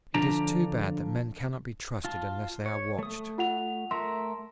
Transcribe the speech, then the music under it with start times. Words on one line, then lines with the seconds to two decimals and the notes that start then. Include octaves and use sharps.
It is too bad that men cannot be trusted unless they are watched.
0.14 D3 F3 D4 A#5
2.05 F4 A5
2.66 C#5
2.99 A3 D#6
3.38 F4 F#5 F7
3.91 A3 A#4 E5 C6